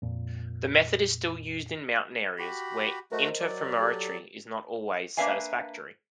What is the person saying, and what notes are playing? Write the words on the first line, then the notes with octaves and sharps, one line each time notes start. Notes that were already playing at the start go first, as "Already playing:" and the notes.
This method is still used in mountain areas, where interferometry is not always satisfactory.
F2 A#2
F#4 G4 B5
A3 F#4 A#4 C5 D#5
F#3 D5
G4 A4
A#3 D4 B4 E5 F5 G#5